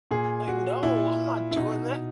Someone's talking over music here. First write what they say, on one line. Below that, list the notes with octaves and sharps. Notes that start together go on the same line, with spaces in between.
Like, "No, I'm not doing that."
A#2 G#4
F#4
A#2 E4
E4
B2 D#4